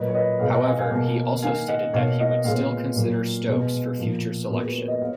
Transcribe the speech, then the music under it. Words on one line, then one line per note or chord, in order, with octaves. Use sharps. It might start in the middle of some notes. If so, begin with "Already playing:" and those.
However, he also stated that he would still consider Stokes for future selection.
Already playing: A#2 F#3 A#3 B4 D#5
C#5
B4 D#5
B2 G#3 B3 C#5 F5
D#5 F#5
F5 G#5
F5 G#5
B2 A#3
D#3 A#3 F5 G#5
D#5 F#5
B2 A#3 C#5 F5
D#5 F#5
A#2 G#3 B3 C#5 F5
A#2 F#3 A#3
B2 G#3 B3
A#2 F3 A#3
B4
A#2 G#3 B3 F#4 A#4
G#4 B4
A#4 C#5
B4 D#5
B3 C#5 F5